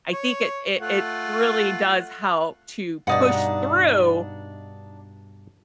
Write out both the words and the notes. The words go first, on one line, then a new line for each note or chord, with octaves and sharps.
I think it it it really does help to push through,
C#5
A3 F4 F#5
G2 B2 D4 D#4 F#5